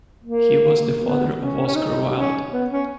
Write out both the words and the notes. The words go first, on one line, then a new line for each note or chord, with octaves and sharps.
He was the father of Oscar Wilde.
A#3
B3
C#4
C#4
D#4
C#4
B3
C#4